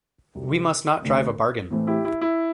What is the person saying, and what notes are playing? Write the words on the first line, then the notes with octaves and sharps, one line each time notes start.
We must not drive a bargain.
C2 C3 F#3
D2 D3 A3 C4
A2 E3 A3 C4
E4 G4
E4
E4